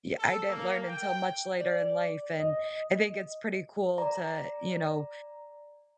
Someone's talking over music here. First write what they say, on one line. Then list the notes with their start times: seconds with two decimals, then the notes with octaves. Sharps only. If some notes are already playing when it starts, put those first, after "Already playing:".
y I didn't learn until much later in life and I think it's pretty cool to, you know,
0.19 A4
0.48 A#3
0.88 G5
1.60 D5
2.40 D#5
3.98 D5 A#5